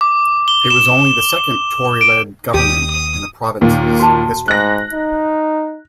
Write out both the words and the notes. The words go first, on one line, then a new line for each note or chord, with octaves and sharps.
It was only the second Tory-led government in the province's history.
D6
G7
E7
D7
D#2 G4 D#6
D#6
D#2 A#2 A#3
F#4 A5
G#2 F#6 A#6
D#4